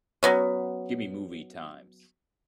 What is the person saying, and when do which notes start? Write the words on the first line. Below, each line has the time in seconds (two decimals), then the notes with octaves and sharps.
Gimme movie times.
0.23 F#3 B3 C#4